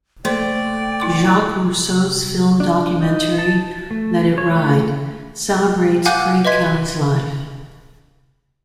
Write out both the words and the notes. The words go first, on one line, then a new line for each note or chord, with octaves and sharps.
Jacques Russo's film documentary, "Let It Ride", celebrates Craig Kelly's life.
A3 A#3 C5 D5 G5 C6
E4 C6 D6
D4
D#4
A5
A3
C#5
A3
F5 F#5 G#5 D6 F#6 G6
B4 D#5 E5 C6 G#6 B6